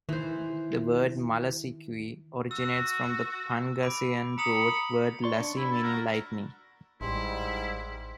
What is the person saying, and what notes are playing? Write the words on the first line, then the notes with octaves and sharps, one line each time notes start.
The word Malasiqui originates from the Pangasinan root word "lasi" meaning lightning.
D#3 E3 C5
F#4 E6
B5 D6 D7
A#5 B5 D#6 C#7 F7
D5 C6 C#6
D4
E4 B5
A4
F#4 A#4
A1 G#2 G3 E4 C6